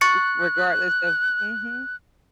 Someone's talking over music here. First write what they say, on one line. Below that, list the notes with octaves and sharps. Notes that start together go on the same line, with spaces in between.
r regardless of mhm.
C#6 F#6 A6 C#7